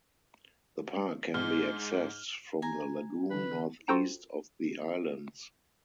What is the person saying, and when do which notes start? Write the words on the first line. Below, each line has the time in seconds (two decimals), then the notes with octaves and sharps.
The park can be accessed from the lagoon northeast of the islands.
1.34 G#2 F6 G7
2.62 G#5 A#5
3.30 D3 E3 B4
3.88 F4 F#4 A4 C5 G5 A#5